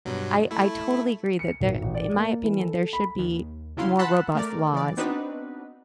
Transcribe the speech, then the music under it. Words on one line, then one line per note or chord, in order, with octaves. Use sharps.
I I totally agree that there in my opinion, there should be more robust laws
G2 B2 F#3
A3 E4
C#7
G#1
A1
D5
A#3
E3
A4
B5
D#2
C#3 F#3 E4 F4 C6
F#5 A5 B5 C6 E6 F#6
A3 A#4 D5
E3 D5
B3 C4 D4 D#4 F#4 B4